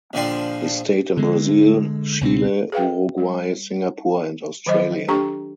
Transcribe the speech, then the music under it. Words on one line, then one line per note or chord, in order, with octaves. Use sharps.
He stayed in Brazil, Chile, Uruguay, Singapore and Australia.
A#1 D3 F3 D5 G5 C6
D3 G#3
C#2 B2 A3 C4
G#4 B4 F5 G5
G3
D#3 F#3 C5 D#5
D4 G4 A4 G5 A#5 C#6